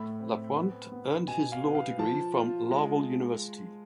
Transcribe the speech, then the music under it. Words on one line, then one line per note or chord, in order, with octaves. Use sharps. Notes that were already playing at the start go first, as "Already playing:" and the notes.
Lapointe earned his law degree from Laval University.
Already playing: A2 A3 B5
C4
B3
B3
B2 G#5
F5
B3
F5
F3 A5
F4
G#3